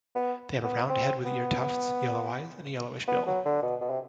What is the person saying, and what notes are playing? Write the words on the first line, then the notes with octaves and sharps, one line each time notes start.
They have a round head with ear tufts, yellow eyes and a yellowish bill.
B3
B3
C4
B3
B3
F#3
D3
B2
B2
C3